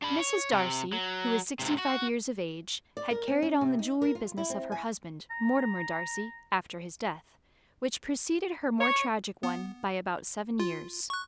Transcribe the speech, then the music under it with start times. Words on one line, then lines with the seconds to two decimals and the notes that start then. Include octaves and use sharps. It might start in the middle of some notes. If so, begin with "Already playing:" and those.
Mrs. Darcy, who was sixty-five years of age, had carried on the jewelry business of her husband, Mortimer Darcy, after his death, which preceded her more tragic one by about seven years.
0.02 D4 B5
0.19 C#5
0.52 C3
0.92 F#3
1.59 G#2 C3
1.78 F#4
2.97 D5
3.11 A#4
3.28 C4
3.42 C#4
3.61 C3
3.79 D#4
4.02 A#4
4.15 F4
4.38 E4
4.50 C4
4.72 G#5
5.30 A#5
8.80 C#5
9.43 B3
10.60 F4
11.10 C#6 F#6